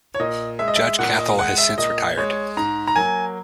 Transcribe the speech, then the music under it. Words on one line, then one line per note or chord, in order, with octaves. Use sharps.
Judge Cathell has since retired.
C#5
A#2 D#5
G#3 E5
D#5
E5
A#2 F#5
D#5
G#3 F#5
E5
A#2 D#5
G#3 C#5
G#2 A#5
A#5
F#3 A#3 G#5